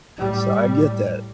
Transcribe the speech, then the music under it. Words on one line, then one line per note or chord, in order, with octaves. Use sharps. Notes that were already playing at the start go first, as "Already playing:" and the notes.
so I get that.
A2 G3
A2